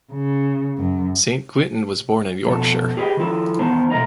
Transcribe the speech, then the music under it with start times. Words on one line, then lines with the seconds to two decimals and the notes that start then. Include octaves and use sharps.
St Quinton was born in Yorkshire.
0.13 C#3
0.78 F#2
2.47 F2 B2 A4
2.97 G4 G#4 B4 C#5 D#5 G5
3.17 D#3 F3 E4 A4
3.59 E2 D#3 B3 C5 A5
3.90 B2 A3 A#4 D#5 A#5